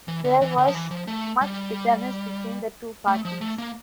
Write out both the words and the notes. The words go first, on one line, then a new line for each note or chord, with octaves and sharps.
There was much bitterness between the two parties.
E3
D3
E3
D3
F3
E3
F3
A3
G3
A3
F3
A3
A#3